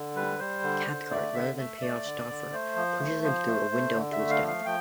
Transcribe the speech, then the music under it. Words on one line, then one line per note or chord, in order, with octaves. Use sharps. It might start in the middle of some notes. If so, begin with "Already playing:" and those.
Cathcart, rather than pay off Stauffer, pushes him through a window to his death.
Already playing: D3
G3 B4
G3 C5
D3
D3
A3 D5
D3 E5
A3 E5
A3 D5
D3
D3
A3 C5
F3
A3
F3 C5
A3
A3
D3
A3 E5
F5
F3
F5
F3 G5